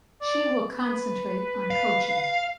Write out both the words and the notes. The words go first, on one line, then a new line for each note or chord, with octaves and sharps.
She will concentrate on coaching.
D5
B4
F5